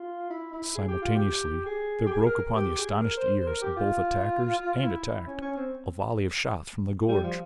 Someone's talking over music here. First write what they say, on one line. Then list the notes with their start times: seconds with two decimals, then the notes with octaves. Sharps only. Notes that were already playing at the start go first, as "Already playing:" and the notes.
Simultaneously there broke upon the astonished ears of both attackers and attacked a volley of shots from the gorge.
Already playing: F4
0.30 E4
0.52 E4
0.75 G#4
0.88 G4
1.02 F4
1.15 G4
1.66 G#4
2.06 G4
2.11 G#4
2.26 A#4
2.56 G4
2.79 G#4
3.01 A#4
3.17 C5
3.40 C5
3.47 A#4
3.62 G4
3.77 F4
4.83 E4
5.27 C#4
5.42 C#4
5.57 C4
7.08 G3
7.23 F3